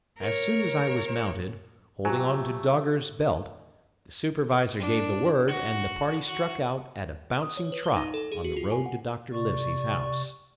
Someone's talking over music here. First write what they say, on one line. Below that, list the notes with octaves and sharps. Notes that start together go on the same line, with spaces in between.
As soon as I was mounted, holding on to Dogger's belt, the supervisor gave the word, and the party struck out at a bouncing trot on the road to Dr. Livesey's house.
A#4 C#5
F#3 A3 F4 G4 C5 G#5
D4
F#4
F#4
D#6
C#5
B4
G7
D#4
A4
G#4
F#4
F4
G#5
F#5
C3 D5 C#6